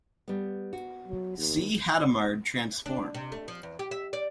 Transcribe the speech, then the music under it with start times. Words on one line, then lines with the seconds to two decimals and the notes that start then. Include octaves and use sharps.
See Hadamard transform.
0.28 G3 B3
0.73 F#4
1.08 F#3
1.37 D#2
2.86 D4
3.15 C3
3.32 A3
3.48 F3
3.63 E2
3.79 G4
3.91 E5
4.13 D5